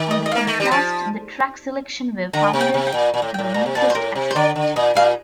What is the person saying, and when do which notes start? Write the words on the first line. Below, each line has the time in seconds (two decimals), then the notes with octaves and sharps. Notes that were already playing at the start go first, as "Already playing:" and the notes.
On the contrast the track selection were founded the weakest aspect.
Already playing: D#3
0.11 D#5
0.26 D#5
0.32 F5
0.35 A#3
0.47 A3
0.60 G3
0.65 A#5
0.71 F3 A5
2.33 D3 A#5
2.53 C3
2.61 G5
2.74 C3
2.87 G5
2.94 A#2
3.14 A#2
3.22 A2
3.34 G5
3.38 A2
3.54 A#2 A#5
3.66 C3
3.75 A#2 A5
3.90 C5
3.95 A2 A#4
4.15 C3
4.31 C5
4.35 D3 D5
4.56 D3
4.76 A#2 D#5
4.95 A#2 F5